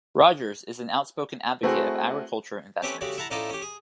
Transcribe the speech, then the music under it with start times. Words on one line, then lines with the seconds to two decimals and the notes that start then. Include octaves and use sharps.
Rogers is an outspoken advocate of agriculture investments.
1.63 A3 C4 E4 F#4 G#4
2.82 A3 C4 C#4 G4 B4
3.01 C#3 G3 A3 F#4
3.17 E4 F#5 A5 A#5
3.31 A2 C#4 D#4 F4 A4 D5
3.50 C#4 G4
3.62 G#4